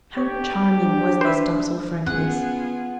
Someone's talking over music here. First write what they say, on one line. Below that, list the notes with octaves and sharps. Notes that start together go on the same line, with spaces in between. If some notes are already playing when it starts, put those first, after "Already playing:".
How charming was this docile frankness!
D3 G4 C#5
D4
B4 C5 E5
B3 C#4 F4 G#4 F#5